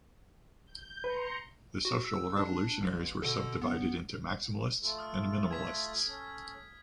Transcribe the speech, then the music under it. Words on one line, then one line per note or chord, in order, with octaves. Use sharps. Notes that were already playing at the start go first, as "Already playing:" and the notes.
The Social Revolutionaries were subdivided into Maximalists and Minimalists.
G6
B4 A#5 C6 C#7
F#4
E6
D4
A1
B2 D3 A4
B3
A3 F4 A4
D#6 F6
G#6 B6
C#4 A4